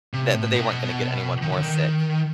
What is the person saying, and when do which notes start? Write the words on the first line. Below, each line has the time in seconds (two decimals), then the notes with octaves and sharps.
th that they weren't gonna get anyone more sick.
0.13 C3
0.34 A2
0.56 B2
1.42 D#3
1.52 D3
1.62 D#3